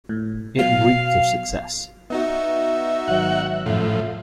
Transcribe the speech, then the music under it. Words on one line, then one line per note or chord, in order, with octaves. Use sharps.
It reeked of success.
A2
B2 F#3 F5
B3 D#4 F#4 E5
G#1 F#3 F#5
F#2 A2 F3